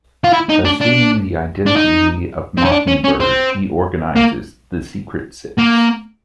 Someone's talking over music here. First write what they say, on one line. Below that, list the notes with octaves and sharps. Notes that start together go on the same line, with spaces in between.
Assuming the identity Mockingbird, he organizes the Secret Six.
F4
E4
D#4
D4
D4
D4
D#4
C4
C#4
D4
C#4
C#4
C4
A#3
A#3